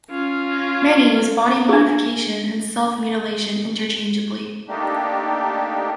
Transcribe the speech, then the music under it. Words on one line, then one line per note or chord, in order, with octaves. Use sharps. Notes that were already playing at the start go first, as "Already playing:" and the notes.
Many use body modification and self-mutilation interchangeably.
C#4 F4
D4 G#4
A3 A#3 D4 D#4 G4